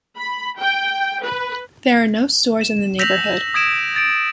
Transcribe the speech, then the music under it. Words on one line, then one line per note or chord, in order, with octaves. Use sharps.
There are no stores in the neighborhood.
B5
G5
B4
E7
E6 G6 A#6 B6 F7 F#7
D#6 G#6 A#6 D7 E7
G#6 A6 D7